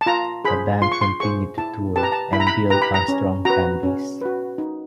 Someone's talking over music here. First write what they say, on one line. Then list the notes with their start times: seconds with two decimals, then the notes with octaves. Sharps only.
The band continued to tour, and build a strong fanbase.
0.01 A5
0.06 F4 A#5
0.45 G#4 C5 B5
0.82 F4 C6
0.92 C#6
1.01 C6
1.20 G#4 C5 C#6
1.57 E4 A5
1.96 G4 B4 A5
2.03 A#5
2.12 A5
2.33 E4 B5
2.40 A#5
2.47 B5
2.70 G4 B4 A#5
2.82 B5
2.94 A#5
3.08 C#4
3.45 F#4 B4 A#5
3.83 C#4
4.21 F#4 B4
4.58 D#4